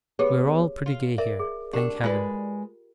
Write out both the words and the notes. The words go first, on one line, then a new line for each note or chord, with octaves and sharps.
'We are all pretty gay here, thank Heaven!
B3 G4 G#4 C#5
F4
A#4 D5 E5
G#4
D4 G4 A#4 G5
G#3 F4 B4 D5